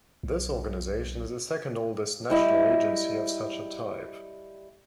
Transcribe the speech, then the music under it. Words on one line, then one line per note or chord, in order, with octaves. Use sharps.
This organization is the second oldest national agency of such a type.
B1
G3 E4 D#5